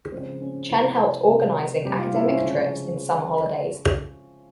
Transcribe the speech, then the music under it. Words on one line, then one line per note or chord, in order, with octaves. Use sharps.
Chen helped organising academic trips in summer holidays.
C#3 F3 G#3 C4
C#4
C3 F3 G#3 E4
C3 F3 G#3
C3 G3 G4
F4
E4
C4
C#4
C#3 F3 G#3